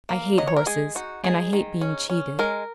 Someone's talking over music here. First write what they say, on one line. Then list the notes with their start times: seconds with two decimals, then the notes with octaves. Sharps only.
"I hate horses, and I hate being cheated."
0.09 A#3
0.38 F#3 D#5
0.47 C#5
0.56 A#4
0.66 G#3 G#4
0.95 D#4 F#4
1.24 G#3 G#4
1.53 D#3
1.81 C#4
2.10 C#4
2.39 G#3 A#4